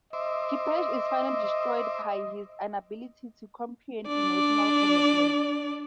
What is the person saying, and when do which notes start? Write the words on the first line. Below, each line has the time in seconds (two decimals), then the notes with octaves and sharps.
Kepesh is finally destroyed by his inability to comprehend emotional commitment.
0.13 C5 D#5 E5 D6
4.08 D4 D5